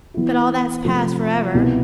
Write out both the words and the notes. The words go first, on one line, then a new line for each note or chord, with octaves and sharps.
But all that's past for ever.
E3 B3 E4
C3 F3 A3
C2 B2 B3